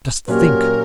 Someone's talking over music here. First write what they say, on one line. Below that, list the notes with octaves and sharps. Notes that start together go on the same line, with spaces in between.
Just think!
A#2 F#3 C#4 G4 A#4 B4